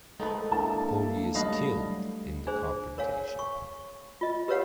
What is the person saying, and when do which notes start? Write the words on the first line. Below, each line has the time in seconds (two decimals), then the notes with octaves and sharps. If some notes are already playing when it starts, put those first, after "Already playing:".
Ori is killed in the confrontation.
0.20 D#3 F3 G#3 A3 A4 B4
0.52 A#3 D4 E4 A4 A5
1.35 F#3 G3 A3 B4 D#5 F5
2.47 D4 G#4 C5
2.98 A#4 C#5 F5 G#5
3.39 C#6
4.21 F4 D#5
4.48 G4 A#4 B4 C#5 F5 F#5